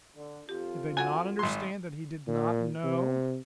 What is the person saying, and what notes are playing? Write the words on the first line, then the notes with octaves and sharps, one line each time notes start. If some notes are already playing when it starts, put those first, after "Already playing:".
Did they not understand that he did not know?
D3
F2 F4 G4
F#4 A4 F#5 G#5
G#1 C6
A#2
C3